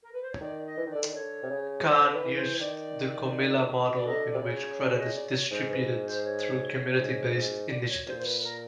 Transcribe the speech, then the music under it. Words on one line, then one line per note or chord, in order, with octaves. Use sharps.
Khan used the Comilla Model, in which credit is distributed through community-based initiatives.
A#4
B4
C5
C#5
D#3 D5
D#5
E3
D#3
D5
D3
D#3
D3 C#5
C3
C#3
D3 C5
D#3 B4
E3
C5
D#3 D5
D5
D3 D#5
C3 D5
C#3
C#5
D5
D#5
D5
C#5
G#2 C5
B4
C5
C#5
G#2
G#2
D5
C#5
A#2 C5
C5
B4
A#4